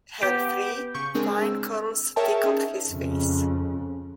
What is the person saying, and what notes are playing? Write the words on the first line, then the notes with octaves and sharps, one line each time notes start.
Her free, fine curls tickled his face.
B3 G4
C#3 C#6 G6
G#3 C4 D4 G#4 A#4
E6
G#4 A#4 C#5 E5 G5 A5
C#4 D#4 G#4
F2 C#3